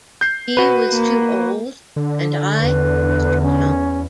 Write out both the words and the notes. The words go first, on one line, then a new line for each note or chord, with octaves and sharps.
He was too old, and I was too young.
G6 C7
F#4 B4
A#3
D3
E2 B4
C#4